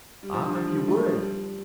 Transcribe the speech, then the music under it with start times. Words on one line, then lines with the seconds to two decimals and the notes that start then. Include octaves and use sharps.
Ah, you would?
0.23 G3
0.34 F3
0.45 D3
0.55 F3
0.66 G3
0.88 A3
0.97 G3
1.06 F3
1.15 G3